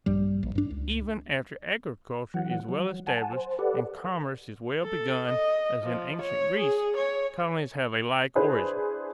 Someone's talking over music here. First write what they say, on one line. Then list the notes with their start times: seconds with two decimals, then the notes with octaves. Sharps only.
Even after agriculture is well established and commerce is well begun, as in Ancient Greece, colonies have a like origin.
0.06 A#1 G2 G3
0.43 A#1
0.55 G2 D4
0.70 C#2
2.34 E3 F#3 F#5
2.69 F#3
3.06 F#5 G#5 A5
3.33 C5
3.59 G4 A4 B4 D5 F#5
4.83 A4
5.27 D#5
5.83 F3
6.21 C#5
6.59 G#4
6.96 C#5
8.35 D4 E4 G#4 B4 C5